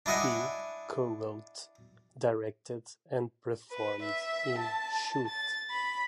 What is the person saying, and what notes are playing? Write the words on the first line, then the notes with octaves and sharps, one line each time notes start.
He co-wrote, directed and performed in "Shoot".
D4 E4 D#5 F#5 G#5
B4
E5
A5
A6
B5